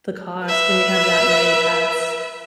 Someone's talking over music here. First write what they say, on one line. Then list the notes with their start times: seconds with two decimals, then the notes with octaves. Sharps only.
the cost when you have that many pets.
0.44 B4 E5